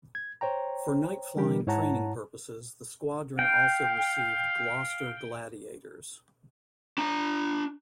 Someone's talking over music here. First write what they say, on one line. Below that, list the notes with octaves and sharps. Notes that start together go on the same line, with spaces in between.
For night-flying training purposes the squadron also received Gloster Gladiators.
G#6
C5 C#5 G5 A#5
D3 E3 G3 D4 G4 A#4
G#2 E4 C#5 F#5 A5 A#5
F5 G5
D4 A#5